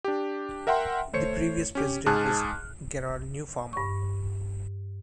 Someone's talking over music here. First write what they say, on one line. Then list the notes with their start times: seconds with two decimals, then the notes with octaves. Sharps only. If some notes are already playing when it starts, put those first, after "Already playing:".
The previous president was Gerald Newfarmer.
0.04 D4 G4
0.67 A#4 E5 F#5 G5 C6
1.13 A3 C5 C#5 C#7
1.75 C#4 G4
2.06 G#2 G#4 A5 F6 F#6
3.73 G2 C#6